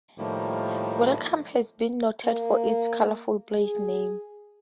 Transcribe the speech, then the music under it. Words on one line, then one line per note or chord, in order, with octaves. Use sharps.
Welcome has been noted for its colorful place name.
A2 D#3 F3 G3 A3 A#3
A#3
G#4